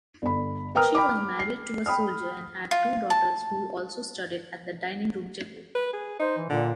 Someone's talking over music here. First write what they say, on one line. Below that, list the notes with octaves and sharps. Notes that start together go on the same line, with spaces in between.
She was married to a soldier and had two daughters who also studied at the dining room table.
G1 B5
A#4 B4 G5 A#5 D#6 F6
G5 B5 D6
C7
G5 B5 D#6 F6
F4
A5
B4
G#4
D#4 C5
E3
A#2 D3